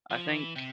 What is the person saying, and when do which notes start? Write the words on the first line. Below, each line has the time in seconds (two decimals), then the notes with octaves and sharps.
I think,
0.11 F3
0.29 E3
0.56 C3